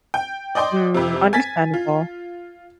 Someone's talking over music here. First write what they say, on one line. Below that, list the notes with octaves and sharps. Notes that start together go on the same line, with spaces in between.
Hmm, understandable.
G5
D5 D#5 G5 C6 D6
F2 C3
G#5 G#6 A6 B6
F4